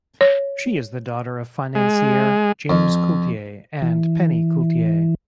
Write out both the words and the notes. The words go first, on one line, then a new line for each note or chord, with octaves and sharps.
She is the daughter of financier James Coulter and Penny Coulter.
C#5
G#3
F2
E3